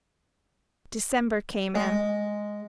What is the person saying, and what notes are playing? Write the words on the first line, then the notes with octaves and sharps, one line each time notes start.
December came in.
G#3